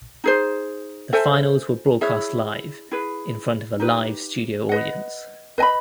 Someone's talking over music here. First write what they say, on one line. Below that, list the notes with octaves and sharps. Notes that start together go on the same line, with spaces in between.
The finals were broadcast live, in front of a live studio audience.
D#4 G#4 C5
A4 C5 E5 G#5
E4 G#4 C#5 E5
E4 G#4 B4
D#4 G4 B4
B4 D#5 F#5
B4 D#5 G#5 B5